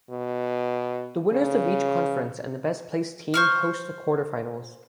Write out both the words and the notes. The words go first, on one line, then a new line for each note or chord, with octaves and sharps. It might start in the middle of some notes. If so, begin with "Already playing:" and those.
The winners of each conference and the best placed team host the quarterfinals.
B2
C#3
C5 C#6 F6